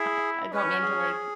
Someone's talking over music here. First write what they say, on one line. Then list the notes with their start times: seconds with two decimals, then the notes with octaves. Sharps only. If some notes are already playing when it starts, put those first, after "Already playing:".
I I don't mean to, like,
Already playing: E4 G#4
0.52 C#4 B4
0.72 F#4
0.82 G#4